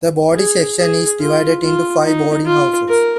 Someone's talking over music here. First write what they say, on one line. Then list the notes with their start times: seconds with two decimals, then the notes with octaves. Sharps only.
The boarding section is divided into five boarding houses.
0.35 G#4
0.78 G#4
1.20 F4
1.62 F4
2.04 D#4
2.46 F4
2.88 A#4